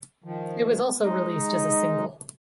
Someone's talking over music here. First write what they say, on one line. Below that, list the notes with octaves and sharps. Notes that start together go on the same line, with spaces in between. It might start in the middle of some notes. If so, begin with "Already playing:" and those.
It was also released as a single.
D#3 F3
G#3 D#4 D#5